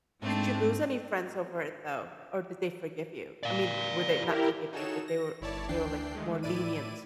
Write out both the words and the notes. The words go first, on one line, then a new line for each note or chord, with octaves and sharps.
Did you lose any friends over it though? Or did they forgive you? I mean, would they not forgive you, but they were they were, like, more lenient?
G#2 G#3 A3 C4 D4
D5 F5
E4 G4 A#4
D#4 F#4 G#4 A4 C#5 E7
A#6
G1 E4 C#5 D5 A5
D2 E3 D4 G5 C7
D#3 G#3 A3
A2 E4 D5 D#7